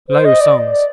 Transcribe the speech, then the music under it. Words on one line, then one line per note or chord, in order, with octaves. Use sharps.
Low songs.
C5
D#5
D5
D5